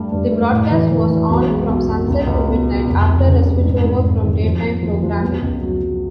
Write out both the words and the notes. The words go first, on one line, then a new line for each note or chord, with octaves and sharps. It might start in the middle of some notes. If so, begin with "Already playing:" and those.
The broadcast was on from sunset to midnight after a switchover from daytime programming.
Already playing: G2 A3
G2
A3
A2
E3
E3
E3
B1
G#3
B1
B1
C#2
C#2
B2
B2
F1
F1
C#3
F1
G#2
G#2
G#2
D#3
F3
A#3
F3
F3
B3
C#2
F#3
F#3